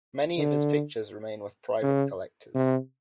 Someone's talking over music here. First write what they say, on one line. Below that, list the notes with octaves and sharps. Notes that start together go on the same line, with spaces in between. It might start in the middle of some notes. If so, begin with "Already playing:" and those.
Many of his pictures remain with private collectors.
D3
C#3
C3